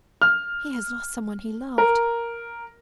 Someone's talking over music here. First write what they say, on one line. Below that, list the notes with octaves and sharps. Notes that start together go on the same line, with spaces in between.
'He has lost someone he loved.
F6
A#4